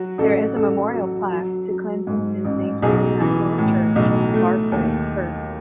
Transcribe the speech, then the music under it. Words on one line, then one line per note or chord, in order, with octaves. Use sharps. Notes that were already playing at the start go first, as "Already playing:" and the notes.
There is a memorial plaque to Clinton in Saint Mary Magdalene Church, Barkway, Herts.
Already playing: F#3 F#4
A1 A4
A1 A4
F#3
F#3
F#3
G#2
A1
B1 G#4
E3
A2
B1
A3
D#2